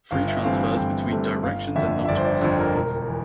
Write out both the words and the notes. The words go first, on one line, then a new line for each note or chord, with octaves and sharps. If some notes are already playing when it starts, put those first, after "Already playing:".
Free transfers between directions are not possible.
G1 F5
E5
G2 E3 A3 C4 F5
F5
G1 G5
G2 E3 A3 C4
G1 F5
F2 D3 E5
E5
G1 D5
C5
D5
F2 D3 C5
A#4
E1 A#4
E3